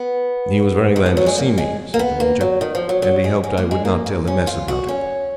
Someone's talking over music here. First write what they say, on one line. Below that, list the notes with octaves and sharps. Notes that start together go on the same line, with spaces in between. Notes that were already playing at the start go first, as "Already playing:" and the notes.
He was very glad to see me," said the Major, "and he hoped I would not tell the Mess about it.
Already playing: B3
D#3
F3
F#3
G#3
A#3
G#3
A#3
B3
A#3
F#3
D#3
F3
F#3
F#3
G#3
G#3
A#3
G#3
A#3
A#3
C#4
F4
F#4
C#4